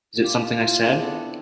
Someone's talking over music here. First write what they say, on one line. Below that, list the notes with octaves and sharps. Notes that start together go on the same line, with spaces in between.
Is it something I said?
G3 F4 G4
E4 F4
D4 G#4
B3 C4 A4